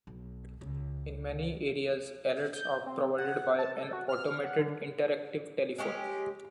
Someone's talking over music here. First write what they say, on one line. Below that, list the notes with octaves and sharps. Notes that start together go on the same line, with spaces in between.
In many areas alerts are provided by an automated interactive telephone.
B1
C#2
G6
C4
F#5
A5
A4
F#4
F6
F#5
D3
G#3 C#4 F#4 G4